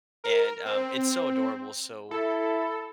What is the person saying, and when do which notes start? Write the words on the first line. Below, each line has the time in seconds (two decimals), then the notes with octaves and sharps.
and, um, it's so adorable. So,
0.24 A#4
0.65 C4
2.11 E4 A4